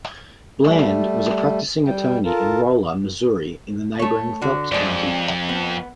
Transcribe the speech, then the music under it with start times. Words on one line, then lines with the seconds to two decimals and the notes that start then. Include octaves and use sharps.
Bland was a practicing attorney in Rolla, Missouri in neighboring Phelps County.
0.66 G3 A3
1.87 G3 G5
2.25 F4 A4 A#4
3.99 A3 C#5
4.42 D3 F#4
4.72 F2 G#3 D5
5.49 B3